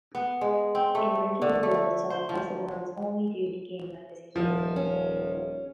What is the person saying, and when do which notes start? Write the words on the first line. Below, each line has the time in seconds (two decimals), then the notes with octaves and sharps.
It originally billed itself as "The World's Only Daily Game Magazine".
0.15 B3
0.41 G#3
0.75 C4
0.95 A3
1.42 D3
1.63 A3
2.10 C5
2.29 F3
4.36 D#1 F3
4.76 C#4